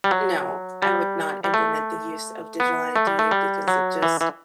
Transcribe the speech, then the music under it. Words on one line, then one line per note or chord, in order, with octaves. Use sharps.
No, I would not implement the use of digital ID, because it just uh,
G3
F#3
G3
G3
A3
B3
A3
G3
A3
G3
F#3
E3
E3